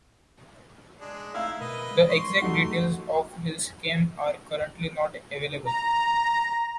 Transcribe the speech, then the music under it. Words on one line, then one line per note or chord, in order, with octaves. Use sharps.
The exact details of his scam are currently not available.
G#3 D4
D#4 E4 E5 F5 E6
B2 A#4 B4 D#5
D#3 G#3
C6 C#6
F#3 A3 D#4 F#4
A#5